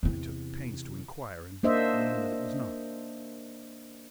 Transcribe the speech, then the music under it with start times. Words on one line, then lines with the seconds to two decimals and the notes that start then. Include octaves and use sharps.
I took pains to enquire, and learned that it was not.
0.03 E2 C3
1.63 A#3 D4 C5 D#5 E5